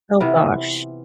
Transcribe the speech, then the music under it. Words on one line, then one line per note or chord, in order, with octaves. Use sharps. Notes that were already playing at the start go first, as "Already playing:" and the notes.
Oh gosh.
C3 E3 B3 F4